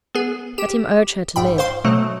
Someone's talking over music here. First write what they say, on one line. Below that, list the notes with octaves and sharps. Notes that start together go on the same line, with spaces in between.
Let him urge her to live.
B3 G#4
G4 E7
A#1 G#2 G5 B5
C5 F5 C6
B2 F#3 A3